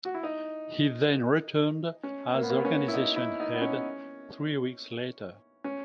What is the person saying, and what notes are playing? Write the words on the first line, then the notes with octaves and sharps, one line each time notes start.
He then returned as organization head three weeks later.
F#4
E4
D#4
C#4
A#3
B3
A#3
B3
C#4
E4
D#4
E4
D#4
B3
C#4
C#4